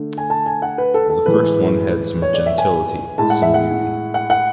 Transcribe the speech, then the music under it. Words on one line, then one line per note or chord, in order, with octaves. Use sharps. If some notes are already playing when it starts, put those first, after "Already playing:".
The first one had some gentility, some beauty.
Already playing: D3 A3
G#5
A5
G#5
F#5
B4
A4
A4
A2 E3 G#3 B4
C#5
D5
E5
G#5
A2 G#3 A5
F#5
E5
F#5
F#5
F#5